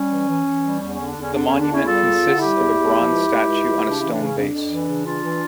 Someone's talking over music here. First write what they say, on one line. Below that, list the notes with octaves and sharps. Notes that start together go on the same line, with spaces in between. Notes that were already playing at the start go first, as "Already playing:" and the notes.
The monument consists of a bronze statue on a stone base.
Already playing: G3 C#4
E3
E3
E3
G3
E2 C#4
D3 C#4
D4
E2 C#4
D3 D4
E2 C#4
D4
E2 C#4 E4
G3 F4 A4
E2
D3
G3 E4 G4
E2
E2
F3
C#2
C#2
C#2
C#2
C#3
D4
E3 C#4 E4
C#3 D4
C#4
F2 D4
F2
E3
C#3
E3 D4 F4
E3